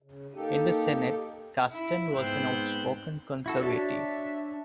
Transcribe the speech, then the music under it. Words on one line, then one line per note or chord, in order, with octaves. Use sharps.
In the Senate, Kasten was an outspoken conservative.
C#3
A#3 D#4 G4 A4
E4
G#2 B3 C4 C5 G5 F#6
E4 F#4 A4
D4 F#4 C#5 E5 A5